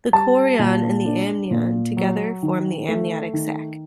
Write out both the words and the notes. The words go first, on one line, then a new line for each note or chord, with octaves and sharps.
The chorion and the amnion together form the amniotic sac.
G3 A5
A#2
D4
A#2
F#3
D#3
A3
D#3